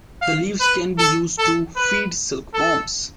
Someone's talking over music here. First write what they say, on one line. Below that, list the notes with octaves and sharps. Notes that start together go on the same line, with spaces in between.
The leaves can be used to feed silk worms.
F5
B4
A4
A4
B4
A4